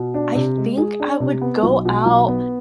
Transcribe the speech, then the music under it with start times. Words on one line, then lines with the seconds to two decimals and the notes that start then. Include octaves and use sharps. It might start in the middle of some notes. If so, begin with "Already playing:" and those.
I think I would go out
Already playing: B2
0.14 D4
0.35 C3
0.57 G#3
0.77 G#4
1.00 D4
1.20 C3
1.42 B3
1.63 B1
1.85 B2
2.06 B1
2.28 B3